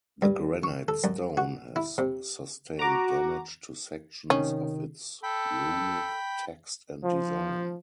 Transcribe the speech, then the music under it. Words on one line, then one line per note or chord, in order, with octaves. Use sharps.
The granite stone has sustained damage to sections of its runic text and design.
G2
C#6
A4
F#2
F#4
E4
C3
F#4 A#5 D6
C3 D#3 C#4
A4 G5 B5
F3